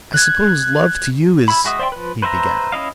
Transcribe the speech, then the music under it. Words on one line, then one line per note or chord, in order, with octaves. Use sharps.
"I suppose love to you is--" he began.
F#6 G#6
E4 B5
G#3 F#4 E5 D#6
C5 D5 E5 G5 C6
F3 B4
B4 C5 E5 F#5 A#5
C#4 E4 D#5 F5